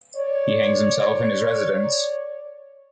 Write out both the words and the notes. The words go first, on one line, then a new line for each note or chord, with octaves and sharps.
He hangs himself in his residence.
C#5 D5